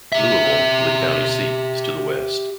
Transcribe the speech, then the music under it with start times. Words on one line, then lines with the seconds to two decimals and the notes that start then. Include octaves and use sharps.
Louisville, the county seat, is to the west.
0.12 G4 E5